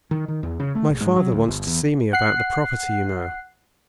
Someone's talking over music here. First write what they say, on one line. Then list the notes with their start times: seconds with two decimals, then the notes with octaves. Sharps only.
"My father wants to see me about the property, you know."
0.11 D#3
0.28 D#3
0.43 E2
0.60 C#3
0.75 A3
0.89 A#1
1.01 G#2
1.16 F#3
1.32 D2
1.48 G1
1.67 E2
2.13 F#5 F#6 C7